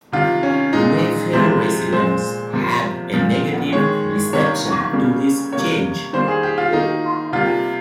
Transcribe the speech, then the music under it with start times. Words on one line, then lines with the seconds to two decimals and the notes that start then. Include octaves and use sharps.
Mayfair residents had a negative reception to this change.
0.12 C3 D#3 G3 F4
0.43 C#4
0.73 A#2 G#3 D#4
1.33 C3 F3 G#3 C5
1.93 A#2 G#3 C5
2.53 C3 F3 A#3
3.13 A#2 F3 A#3
3.72 D#3 G#3 C#5
4.33 C3 D#3 G3 A#3 C#5
4.93 C#3 G3 A#3
5.52 C3 G3 A#3 C#5
6.13 D#3 G3 A#3 C5
6.28 G#4
6.43 G4
6.58 F4
6.72 D#3 A#3 D#4
7.32 C3 G3 A#3 F4